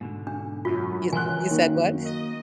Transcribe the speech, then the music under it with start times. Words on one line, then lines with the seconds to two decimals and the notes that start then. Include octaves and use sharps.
You you said what?
0.01 G#2 B2 D3
0.27 D4
0.65 F#2 F4
1.13 C#2 E3 F#3 G#5 C6 F#6
1.50 D#3 A#3
2.05 D#5